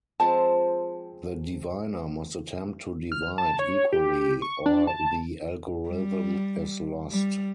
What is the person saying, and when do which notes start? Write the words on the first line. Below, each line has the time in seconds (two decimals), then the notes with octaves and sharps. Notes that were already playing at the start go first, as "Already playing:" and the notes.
The diviner must attempt to divide equally, or the algorithm is lost.
0.20 F3 G#3 C4 A5
3.12 F6
3.38 A5
3.59 C#5
3.92 G4
4.42 C#6
4.66 D4
4.87 A5
5.89 G3
7.11 G3